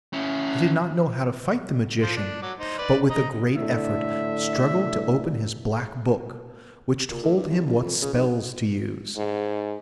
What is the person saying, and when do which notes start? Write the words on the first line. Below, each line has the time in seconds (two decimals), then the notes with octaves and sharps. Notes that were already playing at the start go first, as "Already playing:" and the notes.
He did not know how to fight the magician, but with a great effort struggled to open his Black Book, which told him what spells to use.
0.13 C#4 E4
2.02 F3 C5
2.16 D4
2.42 F#3 D6
2.58 D#4 C5
2.79 B4 D5
3.10 D#5 A#5
3.56 A2 D3 E5
7.10 A#2
7.23 A2
7.36 G2
7.49 C2
7.66 A#1
7.82 F2
8.02 C#3
8.14 B1
9.17 G#2